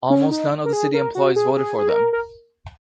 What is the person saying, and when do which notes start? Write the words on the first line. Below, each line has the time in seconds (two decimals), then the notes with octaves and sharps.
Almost none of the city employees voted for them.
0.10 C#4
0.31 D#4
0.65 A#4
0.73 G#4
0.94 A#4
1.15 F#4
1.36 G#4
1.57 G#4
1.78 G#4
1.89 A#4
2.13 A#4